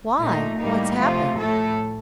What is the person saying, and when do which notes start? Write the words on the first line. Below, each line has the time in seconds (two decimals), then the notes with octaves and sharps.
'Why, what's happened?
0.19 A#2 A3 D#4
0.58 A2 G3 A#3 D#4
0.97 C3 F3 A3 F4
1.36 A2 A3 A4